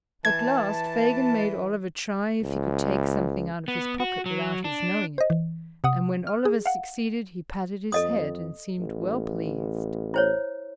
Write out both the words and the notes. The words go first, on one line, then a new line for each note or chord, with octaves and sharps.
At last Fagin made Oliver try if he could take something out of his pocket without his knowing it, and when Oliver succeeded he patted his head and seemed well pleased.
E3 A5 G#6
C#2
B3
F#4
F#3
D4
C5 D#5
E3
C3 F#5 D#6
F6
G#4
F5 F#5
F2 A4 D#5 D#6
A1
E4 C5 C#5